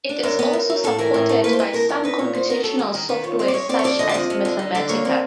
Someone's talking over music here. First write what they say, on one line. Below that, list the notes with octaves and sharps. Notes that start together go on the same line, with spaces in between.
It is also supported by some computational software such as Mathematica.
D4
F#2 A#4
B3
F#2
F#3
A2 A4
E3 A#4
A2
A3
A#3 B4
C5
A#3 B4
B2 A#4
E2 A#4
D#4 B4
A#2 C#5
D#4 C5
B3 A#4
F#3 A4
D#3 G#4
D#3 A#4
D#3 B4
F4 C#5
C4 C5
D5
G#3 C#5
C4 D5
C#5
F2 D5
D3 D#5
D5
F2 D#5
F2
D3
D#4
D3 D5
A#3 C#5
C4 D5